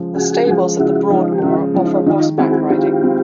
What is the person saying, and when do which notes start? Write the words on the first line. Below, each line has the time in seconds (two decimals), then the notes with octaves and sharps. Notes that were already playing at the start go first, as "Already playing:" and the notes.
The Stables at the Broadmoor offer horseback riding.
Already playing: C#3 F3 G#3
0.15 C#3 F#4 G#4
0.47 F3 G#3
0.78 C#3 E4 F#4
1.10 F3 G#3 D#4 F4
1.32 G4
1.42 C#3 E4 F#4
1.74 F3 G#3
1.86 D#4 F4
2.06 D#3 D#4 F4
2.38 G#3 C4 E4 F#4 G#4
2.70 D#3 F4 G4
3.02 G#3 C4 E4